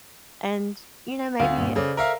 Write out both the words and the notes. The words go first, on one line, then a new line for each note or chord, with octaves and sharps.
and, you know, maybe
D2 F4 A4 F5
G2 A#2 F4
C#3 A4 C5 D5
A#4 E5 F5